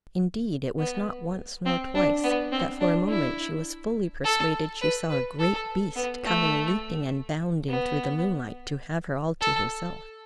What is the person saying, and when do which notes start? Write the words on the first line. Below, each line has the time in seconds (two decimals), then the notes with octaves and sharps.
Indeed, it was not once nor twice that for a moment she was fully persuaded she saw a great beast coming leaping and bounding through the moonlight to have her all to himself.
0.79 B3
1.66 C4
1.95 D4
2.23 B3
2.52 C4
2.80 D4
3.08 E4
4.24 A4
4.81 B4
5.10 B4
5.39 A4
5.96 B3
6.25 A3
7.69 B3
9.41 A4